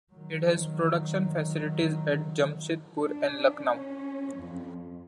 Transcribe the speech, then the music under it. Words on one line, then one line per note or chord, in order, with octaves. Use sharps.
It has production facilities at Jamshedpur and Lucknow.
D#3 F#3
D4
C#4
F2